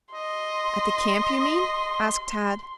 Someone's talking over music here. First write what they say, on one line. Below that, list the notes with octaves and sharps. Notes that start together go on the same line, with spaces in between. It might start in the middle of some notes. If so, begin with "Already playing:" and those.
"At the camp, you mean?" asked Tad.
D#5 C6